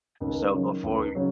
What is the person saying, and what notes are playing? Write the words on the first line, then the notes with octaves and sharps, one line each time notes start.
So, before y
C#2 D#3 D#4
C#3 F#3
C#2
C#3 F#3